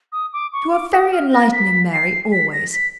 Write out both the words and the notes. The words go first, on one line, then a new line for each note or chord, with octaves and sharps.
You are very enlightening, Mary, always.
D#6
D6
C#6
D6
D#6
F6
A#6
B6
C7
B6
A#6
B6